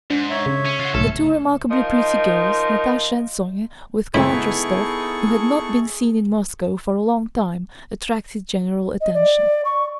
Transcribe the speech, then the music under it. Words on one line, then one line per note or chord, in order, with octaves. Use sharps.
The two remarkably pretty girls, Natasha and Sonya, with Count Rostov who had not been seen in Moscow for a long time, attracted general attention.
G#2 D4
C#5 E5
C#3
C#4
F4 F#4
B1 G#2 C#3 A3 A4
F3 D#4 F4 A#4 D#5
C#2 A2 B3 D#4 E4 G#4 A4 C#6
D#5
D5
C#6